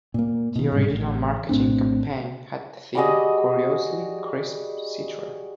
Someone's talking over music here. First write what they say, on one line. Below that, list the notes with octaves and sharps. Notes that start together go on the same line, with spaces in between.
The original marketing campaign had the theme "Curiously crisp Citra".
A#2 A#3
B2 D#3
G#2 C3 G3
A1
A#1 A2 C4 D4
G3 F#4 G#4 D#5